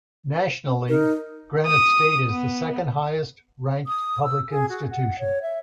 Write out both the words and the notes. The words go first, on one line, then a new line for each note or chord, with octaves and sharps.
Nationally, Granite State is the second-highest ranked public institution.
D#4 A#4
D#6
B3
D#6
E6
G#4
F#4
F#5
C#5
E5